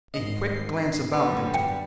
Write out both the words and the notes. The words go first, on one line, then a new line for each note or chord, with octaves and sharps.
A quick glance about they took.
G#1 D#5 C7
F#2 D3 G3 B3
G5